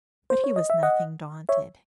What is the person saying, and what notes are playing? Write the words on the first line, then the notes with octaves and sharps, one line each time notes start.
'But he was nothing daunted.
C5
C#5
D#5
E5
D#5 F#5
C#5 E5